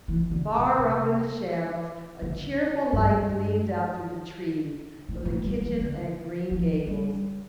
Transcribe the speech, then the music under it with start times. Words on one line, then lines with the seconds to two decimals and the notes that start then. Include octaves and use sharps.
Far up in the shadows a cheerful light gleamed out through the trees from the kitchen at Green Gables.
0.08 E3
0.31 D3
0.56 A#2
0.79 C3
2.22 D3
2.93 G2
5.09 A2
5.25 A2
5.44 G3
5.62 F3
5.80 D3
6.51 F3
6.87 G3